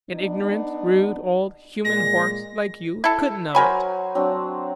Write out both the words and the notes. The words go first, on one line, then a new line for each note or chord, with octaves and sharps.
An ignorant, rude old human horse, like you, couldn't know it.
B3 D4 D#4
A#2 G#3 A#6
E4 A4
F#3 A#4 C5 G#5 B5
F#3 C4 D4